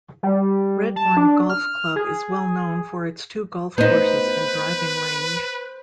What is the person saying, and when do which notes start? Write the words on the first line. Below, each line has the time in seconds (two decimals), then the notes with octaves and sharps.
Redbourn Golf Club is well known for its two golf courses and driving range.
0.23 G3
0.96 A5
1.17 D4
1.49 F6
1.96 G#4
3.78 B3 D#4 B4 C5